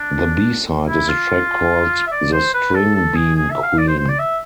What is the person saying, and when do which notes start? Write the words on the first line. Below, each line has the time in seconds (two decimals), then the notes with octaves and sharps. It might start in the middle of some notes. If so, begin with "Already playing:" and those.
The B-side is a track called 'The String Bean Queen'.
Already playing: D4
0.88 E4
1.09 F4
2.07 E5
2.12 D5
2.33 C5
2.54 B4
2.75 A4
2.95 A4
3.16 G#4
3.36 G#4
3.50 E5
3.64 F5
3.78 D5
3.88 C5
3.98 C5
4.09 D5
4.19 E5